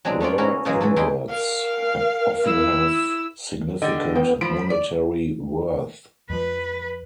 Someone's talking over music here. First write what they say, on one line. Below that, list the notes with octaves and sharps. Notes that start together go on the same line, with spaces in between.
Rare inverts often have significant monetary worth.
F#3 G#3 C4 D4
A3 C#4 F4 D5
C#4 E4 F#4 A#4
C#3 E3 F#3 G#3 A#3
E3 F#3 A4
E2 G#3 E4 D5 G5 C6
A#4 F5
E4 E6
D3 G3 D#5
E2 B3 G5
F3 B5 D7
D5
F2 F3 B4